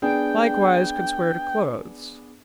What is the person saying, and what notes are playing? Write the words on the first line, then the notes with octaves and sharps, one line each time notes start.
Likewise could swear to clothes.
B3 D4 G#4 G5